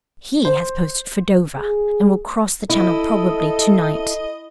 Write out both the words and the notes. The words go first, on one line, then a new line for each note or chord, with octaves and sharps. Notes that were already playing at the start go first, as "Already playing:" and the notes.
HE has posted for Dover, and will cross the Channel probably to-night.
C5
G#4
E4 A4 D#5